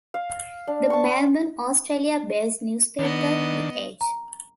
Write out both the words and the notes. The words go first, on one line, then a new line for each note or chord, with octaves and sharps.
The Melbourne, Australia-based newspaper, "The Age".
F5
D4
A5 C#6
B5
D#3 B3 D4 D#5
A#5